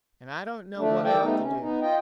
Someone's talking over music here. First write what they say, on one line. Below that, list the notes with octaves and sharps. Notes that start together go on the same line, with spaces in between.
And I don't know what I ought to do.
D3 A3 D4
D#3 G3 A4 D5 G5
G3 A3 B3 D#4
C3 C#4
B3 D#4
F4 D#5 G5